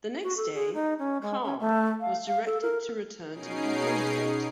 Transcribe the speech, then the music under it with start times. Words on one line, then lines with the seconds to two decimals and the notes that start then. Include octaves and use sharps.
The next day, "Carr" was directed to return to her homeport.
0.22 F#4
0.37 A4
0.54 G#4
0.74 D#4
0.98 C#4
1.21 G#3
1.43 C#4
1.60 A3
2.00 F5
2.26 F5
2.46 A4
2.62 A#4
3.32 B2 C#4 D#4 G#4 C7 D7